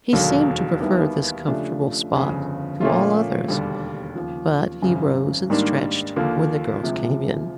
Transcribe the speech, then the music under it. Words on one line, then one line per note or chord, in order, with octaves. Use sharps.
He seemed to prefer this comfortable spot to all others, but he rose and stretched when the girls came in.
E1 D#2 D3 F#3 A#3
D#2 D#3 G3 B3 E4
C#3 F3 A3 D4 G4
G1 F2 C#3
A#2 F3 A3 C#4 F4
E1 D#2 D3 G3
D#2 C#3 F3
G#1 F#2 C#3
G#2 D#3 G3 A#3 D4
D#2 D3 F3 A#3
D2 C3 F3 G#3